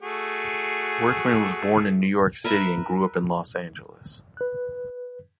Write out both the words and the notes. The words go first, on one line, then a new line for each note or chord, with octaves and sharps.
Workman was born in New York City and grew up in Los Angeles.
A3 F#4 G#4
A#4 B4 E5
B4 F#6